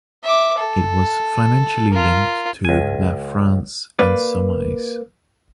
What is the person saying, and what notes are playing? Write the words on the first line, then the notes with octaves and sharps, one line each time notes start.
It was financially linked to La France insoumise.
E5 D6
A4
F4 A#4
C#2 G#5
A#3 B4 D5